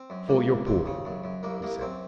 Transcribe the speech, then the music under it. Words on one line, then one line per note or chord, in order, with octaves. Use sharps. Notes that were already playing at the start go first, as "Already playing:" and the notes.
"For your poor," he said.
Already playing: C4
F#2
C#2 A#3
C#2
D#2 C4
C#3
F#2
F#2
C2 A#3
C2 A#3
F#2 C4